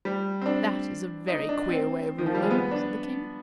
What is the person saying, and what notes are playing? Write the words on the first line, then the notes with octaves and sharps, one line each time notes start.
"That is a very queer way of ruling," said the King.
G3
C4
D4
D#4
D4
C4
D#3
F3
G3
G#3
B3
D4